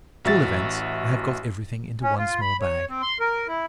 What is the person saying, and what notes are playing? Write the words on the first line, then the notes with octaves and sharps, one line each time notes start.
At all events, I have got everything into one small bag.
A1 F#4 E5 A6
C#4
F4
B5
C#5
C4
C6
A#4
E4